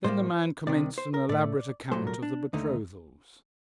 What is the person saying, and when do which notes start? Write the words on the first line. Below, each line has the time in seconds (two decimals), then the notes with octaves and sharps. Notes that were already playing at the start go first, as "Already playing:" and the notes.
Then the man commenced an elaborate account of the betrothals.
0.04 A2 G3 A#3 C5
0.67 C2 C3 D#3 D5
0.98 C5
1.14 A#4
1.29 A2 A3 D5
1.92 C2 A#2 F#3 A3 C5
2.07 A#4
2.23 D4
2.53 D#2 D3 A3 D#4